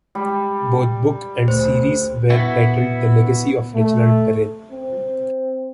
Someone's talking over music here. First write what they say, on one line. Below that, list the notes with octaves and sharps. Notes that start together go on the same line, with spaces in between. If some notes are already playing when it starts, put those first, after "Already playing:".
Both book and series were titled "The Legacy of Reginald Perrin".
G3 G#3
D2 A3 C5
B3 E4 F#4
A3
C4